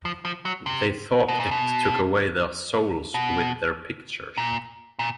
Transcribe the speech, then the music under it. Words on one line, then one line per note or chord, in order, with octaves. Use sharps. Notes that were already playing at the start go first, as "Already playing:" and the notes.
They thought it took away their souls with their pictures.
F3
F3
F#3
C3
B2
A#2
B2
B2
A#2
A#2